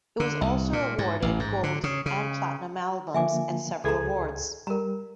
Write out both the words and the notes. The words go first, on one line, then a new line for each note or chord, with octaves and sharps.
It was also awarded gold and platinum albums, and several awards.
D3
C2
A#2
G#2
A1
G#2
D3
C#3
C#3
D3 F3 A#3 E5 G#5 D6
C#2 G#4 A4 A#5 G#6
G3 A#4 A#5